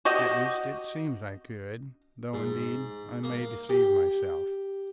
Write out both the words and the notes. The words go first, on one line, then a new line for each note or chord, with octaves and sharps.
At least, it seems I could, though indeed I may deceive myself.
F#4 G4 D#5
G#2
A#3
G4